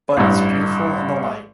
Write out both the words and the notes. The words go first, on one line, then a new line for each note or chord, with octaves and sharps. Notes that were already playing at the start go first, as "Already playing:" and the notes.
But it’s beautiful in the light.
A1 G2